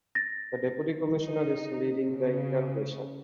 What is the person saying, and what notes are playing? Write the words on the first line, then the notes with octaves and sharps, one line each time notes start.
The deputy commissioner is leading the interrogation.
A6 A#6
D#4
C#3